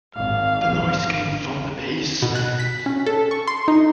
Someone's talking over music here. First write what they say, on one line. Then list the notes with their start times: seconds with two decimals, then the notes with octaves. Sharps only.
The noise came from the basement.
0.16 G#1 F5
2.22 B2
2.35 F#6
2.60 B6
2.86 C#4
3.07 A4
3.31 C#6
3.48 C6
3.68 D#4